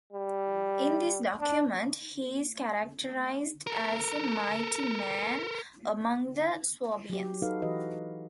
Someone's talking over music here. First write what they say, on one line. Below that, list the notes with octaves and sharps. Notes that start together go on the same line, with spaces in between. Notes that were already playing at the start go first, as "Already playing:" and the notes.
In this document he is characterized as a "mighty man among the Swabians".
G3
D4
A4 A#4
F#3 G4
D#4 F#4 A4 B4 F5
E3 F#4 G4 B4 D#5